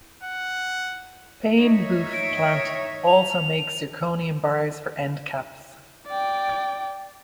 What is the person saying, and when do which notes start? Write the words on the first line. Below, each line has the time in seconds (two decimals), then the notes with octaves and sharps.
Paimboeuf plant also makes zirconium bars for end caps.
0.23 F#5
1.57 D#4 C#5 E5
2.13 D7
3.07 F7
6.07 D5 G5